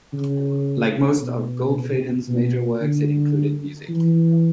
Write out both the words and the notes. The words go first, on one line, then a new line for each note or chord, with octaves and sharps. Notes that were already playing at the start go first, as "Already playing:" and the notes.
Like most of Goldfaden's major works, it included music.
C#3
B2
B2
D3
E3